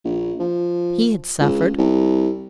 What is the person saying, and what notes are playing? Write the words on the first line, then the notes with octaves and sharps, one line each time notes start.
He had suffered.
A#1
F3
C#2
C2